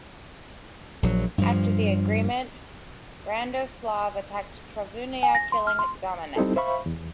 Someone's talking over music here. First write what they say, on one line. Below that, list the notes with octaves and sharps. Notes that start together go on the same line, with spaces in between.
After the agreement, Radoslav attacked Travunia, killing Domanek.
A#1 D3 F#3
G2 F3
G#5
A#6
C6
F6
C6
G3 C4 D#4 E4 A4
C5 E5 F5 B5 C#6
E2